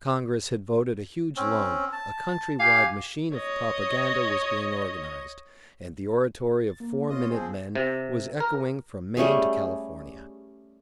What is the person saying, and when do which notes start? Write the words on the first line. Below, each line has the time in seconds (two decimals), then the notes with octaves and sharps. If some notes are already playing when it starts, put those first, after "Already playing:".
Congress had voted a huge loan, a country-wide machine of propaganda was being organized, and the oratory of Four Minute Men was echoing from Maine to California.
1.36 C4 C#4
1.92 A5
2.59 G4 F5 G#5
3.35 C#5 D#5
6.67 A6
6.80 A#3
7.10 B3 F4 C#5 D#5 D#6
7.30 F3 C4 G#4 C5
7.75 C3
8.40 A#4
9.17 G3 A3 C#4 G#4